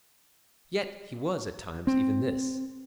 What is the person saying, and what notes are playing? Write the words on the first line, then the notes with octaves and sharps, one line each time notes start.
Yet he was at times even this.
C4